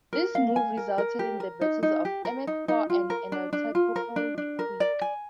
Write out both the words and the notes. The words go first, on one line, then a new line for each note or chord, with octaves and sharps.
This move resulted in the Battles of Emuckfaw and Enotachopo Creek.
A#4
F5
G#5
A#4
A#4
G4
A#4
D#4
D#4
G4
A#4
D#4
D#4
F4
A#4
D4
D4
F4
A#4
D4
D4
A#4
D5
G#5